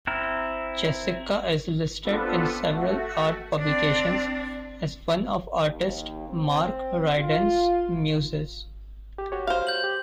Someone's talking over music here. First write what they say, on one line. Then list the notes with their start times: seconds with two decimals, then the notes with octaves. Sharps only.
Jessicka is listed in several art publications as one of artist Mark Ryden's muses.
0.07 C4 E4 A#5 F6
2.04 B3 C4 D4 F4 A4 B4
2.67 A3 F#4
3.59 C4 D4
5.65 D#2
6.29 C4
7.18 F4
9.18 G4
9.32 F#4 G4 C#5
9.47 C5 F5
9.67 G6 F#7
9.84 G4